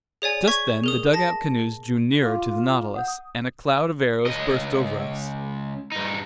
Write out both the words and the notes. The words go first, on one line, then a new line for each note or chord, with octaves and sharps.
Just then the dugout canoes drew nearer to the Nautilus, and a cloud of arrows burst over us.
G#4 C#5 D5 G#5
C#6 G#6 B6
G#4 A#4 D#6
A5 A#6
F4 G4 F5 D6
F#5 D#6 G6
D#6
C#2 D#5
G2 D#4